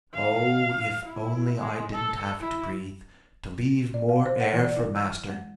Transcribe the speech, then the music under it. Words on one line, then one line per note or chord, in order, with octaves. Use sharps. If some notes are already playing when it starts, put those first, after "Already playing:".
"Oh, if only I didn't have to breathe, to leave more air for master!"
F5
E4
G#3
A4
E4
D5
F5
C5
F#5
E3
D5
E4
E6
F6
G#3